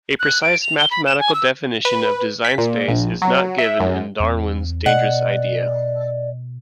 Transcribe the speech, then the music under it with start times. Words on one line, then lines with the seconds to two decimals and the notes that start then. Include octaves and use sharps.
A precise mathematical definition of Design Space is not given in "Darwin's Dangerous Idea".
0.19 F#6
0.42 D7
0.61 F7
0.78 G7
0.90 B5
1.06 E7
1.19 G#5
1.33 E6
1.85 B4
2.45 B6
2.58 A#2
2.88 A#1
3.22 F#3
3.58 E5
3.80 F#2
4.20 E2 C4
4.86 B2 D5 D#5 F#5